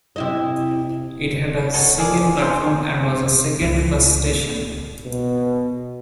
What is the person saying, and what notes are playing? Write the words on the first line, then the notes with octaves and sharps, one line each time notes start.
It had a single platform and was a second-class station.
C3 E4 D#5
F#4 A4 C#5 D#5
A#3 G#4 D5
D4 D#4 G#4 C5
C#2 A2
B2